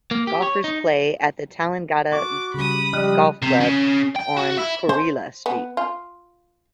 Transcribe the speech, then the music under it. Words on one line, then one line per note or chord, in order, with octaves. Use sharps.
Golfers play at the Tallangatta Golf Club on Coorilla Street.
A#3
G4
C#5
D#4
F#4 D5 D6
C#3 G3 B5 D#6
F3 G3 D#5 F6 F#6
C3
C#3
G5
F#4
E4
C5
B3
F4